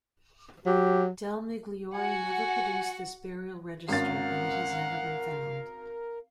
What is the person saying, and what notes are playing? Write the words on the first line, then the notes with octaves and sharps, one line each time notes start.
Del Migliore never produced this burial register, and it has never been found.
F#3 G4
F#4 F#5 G#5
G#1 C#4 A#4 F5 F#5 A6